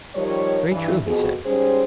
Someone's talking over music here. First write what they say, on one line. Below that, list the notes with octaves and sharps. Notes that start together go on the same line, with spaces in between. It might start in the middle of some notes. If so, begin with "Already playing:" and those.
Very true, he said.
D#3 F3 G3 C#5
G2 E3
F2 B2 G#4
G#2 G3 C#4 G#4 C5